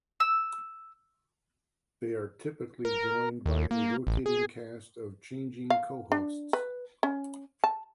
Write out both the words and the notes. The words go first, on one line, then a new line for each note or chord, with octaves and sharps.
They are typically joined by a rotating cast of changing co-hosts.
E6
A#4
D#2
A#3
A1
G#4
F5
D4
B4
C#4
A5